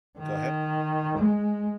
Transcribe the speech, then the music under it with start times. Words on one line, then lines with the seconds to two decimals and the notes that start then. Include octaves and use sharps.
Go ahead.
0.19 D#3
1.18 G#3